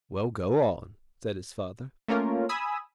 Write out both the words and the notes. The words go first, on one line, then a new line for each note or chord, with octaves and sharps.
"Well, go on," said his father.
A3 A#3 C#4 F4 A#4
G#5 B5 D#6 E6